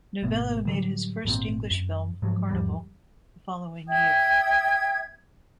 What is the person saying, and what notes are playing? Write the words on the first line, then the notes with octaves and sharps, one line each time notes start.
Novello made his first English film, "Carnival", the following year.
G#1 B2 A3 B3
A2 D3 F#3 G3
G#1 G2 A#2 C4
F#2
G#2 F3 F#3
E2 G#2 F3 G3
E5 G5 D#6 G#6